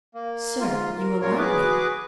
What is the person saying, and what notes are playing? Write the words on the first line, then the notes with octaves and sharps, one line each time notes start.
"Sir, you alarm me."
A#3
G#2 F4
A#4
F#2 A#2 F4 A#4 C#5
F#4 G#4 B4 D6